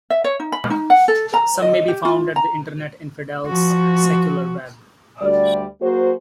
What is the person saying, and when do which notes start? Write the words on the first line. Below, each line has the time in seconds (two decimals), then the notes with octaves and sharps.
Some may be found at the Internet Infidels' Secular Web.
0.10 E5
0.24 C#5
0.40 D#4
0.52 B5
0.70 D#4
0.90 F#5
1.08 A4
1.34 A#5
1.62 D#5
1.88 G4
2.05 F4
2.36 A#5
3.47 F3 F#4
5.21 D2 G3 D5
5.82 F#3 A#3 F#4 G#4 C5